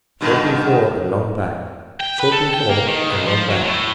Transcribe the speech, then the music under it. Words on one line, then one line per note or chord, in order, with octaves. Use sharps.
"Short before, and long back, Short before, and long back."
G2 B2 D#3
G5
B4
A4
G5
A#3
D#3
B1
F3
F#3
A2